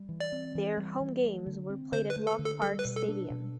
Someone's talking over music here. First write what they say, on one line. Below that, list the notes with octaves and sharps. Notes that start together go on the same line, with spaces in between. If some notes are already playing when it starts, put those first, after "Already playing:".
Their home games were played at Loch Park Stadium.
Already playing: G3
E3
D5
C4
E3
G3
E3
A3
D3
C4
D3 C5
B4
A3
A4
D3
A4
G3 A4
B4
B2
A4
D4
B2